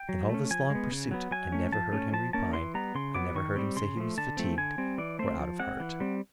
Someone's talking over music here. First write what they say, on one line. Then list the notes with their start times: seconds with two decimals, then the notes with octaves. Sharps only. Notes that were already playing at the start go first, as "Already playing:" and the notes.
In all this long pursuit, I never heard him repine; I never heard him say he was fatigued, or out of heart.
Already playing: G5
0.09 F#3
0.29 A3
0.34 C#4
0.51 F3 G#5
0.70 G#3 B3
0.92 C#3
1.11 F#3 B3
1.31 F#3 G#5
1.52 A3 C#4
1.72 F3 A5
1.93 A3 C#4
2.13 F3 A5
2.33 A#3 C#4 A5
2.53 E3 C6
2.74 G3 B3 A#5
2.95 C#3 C6
3.15 F#3 B3 D6
3.35 D#3 C#6
3.56 G3 C4
3.76 C#3 C6
3.97 F3 A3
4.18 D3 A5
4.37 F3 A3 C4
4.58 D3 G#5
4.78 G3 C4
4.98 E3 D5
5.19 A3 C4 C5
5.39 F3
5.59 G#3 C4 F#5
5.80 E3
6.00 G3 C4